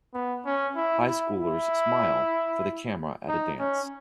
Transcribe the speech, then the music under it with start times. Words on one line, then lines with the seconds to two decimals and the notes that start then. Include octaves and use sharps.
Highschoolers smile for the camera at a dance.
0.14 B3
0.46 C#4
0.76 E4
1.08 E4
1.40 E4
3.29 D#4
3.59 C#4